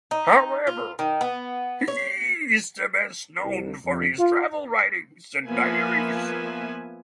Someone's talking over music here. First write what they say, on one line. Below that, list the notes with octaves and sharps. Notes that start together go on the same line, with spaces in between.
However, he is best known for his travel writings and diaries.
D#4
F4
D#3
B3
C#5
C2
F2
F4
F3 A#3 B3 B4 E5 G#5